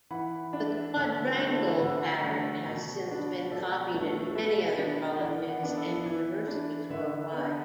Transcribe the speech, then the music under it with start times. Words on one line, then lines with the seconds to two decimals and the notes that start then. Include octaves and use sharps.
The quadrangle pattern has since been copied at many other colleges and universities worldwide.
0.11 E3 F#5 B5
0.53 D4
0.67 B4 E5
0.96 D3 A4 D5
1.24 F#4 B4
1.38 A3 D4
1.52 E4 A4
1.81 D3 F#4 B4
2.23 A3 D4
2.66 B2
3.08 B3 D4
3.51 B2 A4 D5
3.93 A3 D4
4.35 B2 B4 E5
4.78 B3 D4
5.20 E3 D5 F#5
5.49 D5 F#5
5.63 B3 D4
5.77 A4 D5
6.06 E3
6.47 D4
6.90 D3 B4 E5
7.32 B3 D4